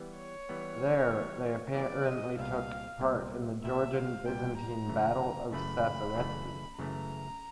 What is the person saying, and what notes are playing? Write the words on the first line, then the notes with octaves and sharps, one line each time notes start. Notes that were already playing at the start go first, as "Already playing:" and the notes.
There, they apparently took part in the Georgian-Byzantine Battle of Sasireti.
Already playing: E3 G3 B3
C#5
E3 G3 B3
E3 G3 B3
E3 G3 B3 D5
D#5
C2 A#2 G3 B3 F5
C2 A#2 G3 B3
C2 A#2 G3 B3 E5
F5
C2 A#2 G3 B3 G5
A#5
F#2 C#3 E3 A3
F#2 C#3 E3 A3 B5
F#2 C#3 E3 A3
F#2 C#3 E3 A3 A#5